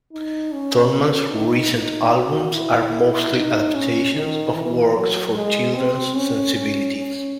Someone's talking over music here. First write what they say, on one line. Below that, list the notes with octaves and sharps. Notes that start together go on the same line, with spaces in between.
Tallman's recent albums are mostly adaptations of works for children's sensibilities.
D#4
C#4
C#4
D#4
D#4
F#4
E4
D#4
C#4
D#3
E3
F#3
G#3
C4
C#4
C#4
C#4